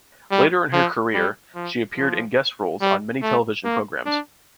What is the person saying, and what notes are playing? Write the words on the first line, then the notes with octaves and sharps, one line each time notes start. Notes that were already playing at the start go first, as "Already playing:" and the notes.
Later in her career, she appeared in guest roles on many television programs.
G3
F3
G3
F3
F3
G3
A3
A#3
D4